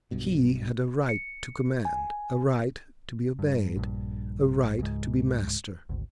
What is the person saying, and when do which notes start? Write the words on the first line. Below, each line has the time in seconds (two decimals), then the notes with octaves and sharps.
He had a right to command, a right to be obeyed, a right to be master.
0.11 B1 G2 B2
1.09 C#7
1.85 G#5
3.39 G2
3.76 A#1 G2
4.79 C#2 G#2
5.89 G#1 D2